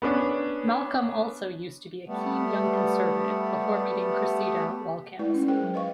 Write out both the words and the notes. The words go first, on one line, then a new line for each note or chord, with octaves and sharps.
Malcolm also used to be a keen Young Conservative before meeting Cressida while canvassing.
B3 C#4 D4
G3 A3 B3
G#3 A3 E4 B4 D5
C#4 D#4
G#4 A#4 C5 G5
F#3
B4 D#5 F5 C#6